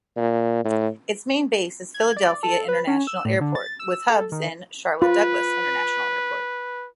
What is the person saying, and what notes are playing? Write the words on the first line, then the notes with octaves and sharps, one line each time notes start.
Its main base is Philadelphia International Airport with hubs in Charlotte Douglas International Airport.
A#2
A2
G#6
D5
A4
B4
C#4
E6
A2
D3
A6
E6
A4
D#3
F4 B4